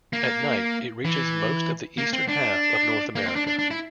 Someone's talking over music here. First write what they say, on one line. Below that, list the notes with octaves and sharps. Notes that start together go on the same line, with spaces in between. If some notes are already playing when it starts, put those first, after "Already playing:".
At night, it reaches most of the eastern half of North America.
A#3
E3
A#3
C4
D4
A#3
C4
D4
D4
D4
E4